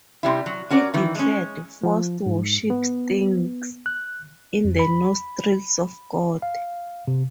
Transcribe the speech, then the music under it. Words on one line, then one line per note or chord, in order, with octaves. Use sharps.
He declared, Forced worship stinks in the nostrils of God.
C3 G3 E4
F#3
C#4 F#4 A#4 D5
D#3 E3
G#3 C#4
F3
G#2
B3
F#6
F2
B5
F5
C3